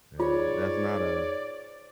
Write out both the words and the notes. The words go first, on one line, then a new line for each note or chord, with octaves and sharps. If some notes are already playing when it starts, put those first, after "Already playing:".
and, that's not a
G#2 F4 C#5 D5